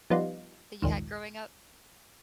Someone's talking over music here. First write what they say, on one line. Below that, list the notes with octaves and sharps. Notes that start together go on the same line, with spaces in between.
that you had growing up?
F3 G3 B3 D#4 F4
A#1 D#2 G#2